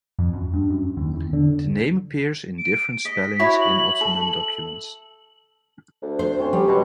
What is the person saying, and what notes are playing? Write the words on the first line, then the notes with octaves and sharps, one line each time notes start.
The name appears in different spellings in Ottoman documents.
F2
F#2
G2
F#2
D#2
E2
D3
D7
D#5 B6
E4 F#4 C#5
F#7
A4
D2
C5
C4 C#4 C#5
F#3 G3 G4
B2 C6 C#6